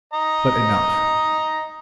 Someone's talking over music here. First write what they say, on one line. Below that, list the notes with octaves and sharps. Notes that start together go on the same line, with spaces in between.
But enough....
D#5 A#5